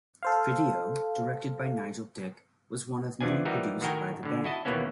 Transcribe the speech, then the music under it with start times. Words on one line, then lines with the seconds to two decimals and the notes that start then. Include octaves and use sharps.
The video, directed by Nigel Dick, was one of many produced by the band.
0.23 A4 C5 F5
3.21 E2 E3 F3 D4 G#5
3.45 E3 F3 G3 D#4 F#4 A#4
3.81 A2 D#3 F#4 A#4 G5 G#5
4.23 A2 D3
4.44 E4 F#4 D#5 A5
4.65 D#2 B2 E3 A#3 B3 C#4